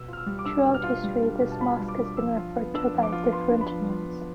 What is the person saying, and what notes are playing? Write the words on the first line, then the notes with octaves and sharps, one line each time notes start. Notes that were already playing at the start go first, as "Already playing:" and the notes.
Throughout history, this mosque has been referred to by different names.
Already playing: B2 E6
F4 F6
E6
G3
D6
D4 E6
B2
F6
F4
G3
D4
B2
A5
F4 B5
G3
D6
D4
D6
F3 E6
F4
B3
D4 E6
F3
D6
F4
B3 C6
D4
B5
F3
F4
B3